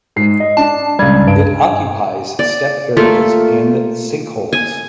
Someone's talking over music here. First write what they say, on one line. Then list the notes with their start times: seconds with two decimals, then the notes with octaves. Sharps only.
It occupies steppe areas and sinkholes.
0.16 G#2 C7
0.40 D#5
0.57 D4 A5
0.99 C#2 G3 G#6
1.28 G2 D7
2.39 D5
2.97 A3 A#3 F4
4.53 G#5